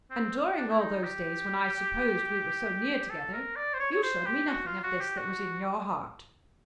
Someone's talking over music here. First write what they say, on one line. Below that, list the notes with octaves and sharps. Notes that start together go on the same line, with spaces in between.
"And during all those days when I supposed we were so near together--you showed me nothing of this that was in your heart."
C4
D4
E4
D#4
G4
A4
A#4
D5
C5
C#5
C#5
C5
G4
F#4
F4
F#4
G4
F#4